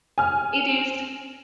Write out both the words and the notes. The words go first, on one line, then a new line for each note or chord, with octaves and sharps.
it is,
G#5 F6